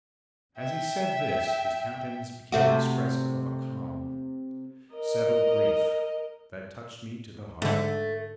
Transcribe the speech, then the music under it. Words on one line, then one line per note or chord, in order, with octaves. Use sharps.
As he said this his countenance became expressive of a calm, settled grief that touched me to the heart.
E5 G5
C3 A3 F#4
A#4 D#5
G#2 D3 A3